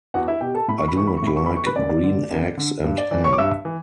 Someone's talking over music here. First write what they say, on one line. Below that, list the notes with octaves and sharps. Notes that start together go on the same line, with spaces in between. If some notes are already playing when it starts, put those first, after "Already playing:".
I do not like green eggs and ham.
E2 F#4 F#5
E4 E5
B2 G4 G5
A4 A5
A2 B5
C#6
B5
E3 C#6
B5
C#6
A2 B5
C#6
E3 B5
C#6
B4 B5
F#2 D5
D3
F#2
D3
G2
D5
E3 D5
C#5 C#6
D6
G2 E5 E6
E3